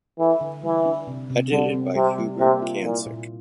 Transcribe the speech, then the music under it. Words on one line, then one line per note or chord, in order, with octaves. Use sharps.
Edited by Hubert Cancik.
E3 A4
D3
E3 G3
D4
C3
C3
D3 G3
C4
C3 G3
G3
C3 A#3
F4
A#2 E4
A#2